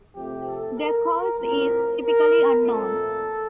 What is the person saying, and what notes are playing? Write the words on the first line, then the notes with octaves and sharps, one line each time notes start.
The cause is typically unknown.
C3 F3 A3 C4 G4
A4
A#4
A#4
A2 F3 C4 A#4
A#4
A#2 F3 A3 C4 A4